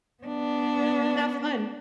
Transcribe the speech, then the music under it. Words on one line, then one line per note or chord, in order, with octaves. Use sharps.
Not fun.
B3 D4